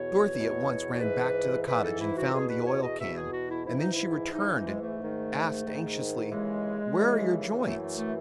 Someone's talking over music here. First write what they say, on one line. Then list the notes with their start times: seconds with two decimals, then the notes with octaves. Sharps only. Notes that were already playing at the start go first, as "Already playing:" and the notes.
Dorothy at once ran back to the cottage and found the oil-can, and then she returned and asked anxiously, "Where are your joints?"
Already playing: E2 B2 C#5
0.34 E2 B2
0.93 C#5
1.00 G#2 E3 B4
1.67 G#2 E3 B4
1.83 A4
2.00 E4
2.17 F#4
2.33 E2 B2 G#4
2.50 B4
2.66 C#5
2.83 D#5
3.00 E2 B2 E5
3.16 G#4
3.32 F#4
3.50 E4
3.66 G#2 E3 E4
3.79 D#4
3.92 E4
4.32 G#2 E3 D#4
4.49 D#4
4.65 G#3
4.82 A3
4.99 G#2 D#3
5.66 G#2 D#3
6.31 D#2 C#3 E3 G#3
6.98 D#2 C#3 E3
7.65 F#2 E3 A3
7.81 A3
7.97 A3